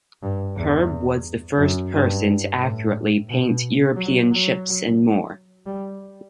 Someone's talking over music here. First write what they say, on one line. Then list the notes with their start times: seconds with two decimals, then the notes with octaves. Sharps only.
Herb was the first person to accurately paint Europeans ships and more.
0.23 G2
0.56 E2
1.58 F#2
1.92 G2
2.61 A2
3.29 B2
3.96 F#3
4.31 F#3
5.66 G3